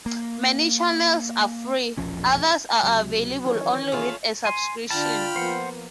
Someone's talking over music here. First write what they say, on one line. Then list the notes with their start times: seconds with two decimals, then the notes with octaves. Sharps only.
Many channels are free, others are available only with a subscription.
0.06 A#3
1.97 E1 A#1 F3 C#4
2.83 C#2 C3 F#3
3.45 D#3 E3 C#4 C#5
3.92 A3 F4 G#4
4.45 G#5 C6
4.90 D3 D4 F4 G5 A5 B5 F6
5.36 F3 A#3 B3 C5 F#5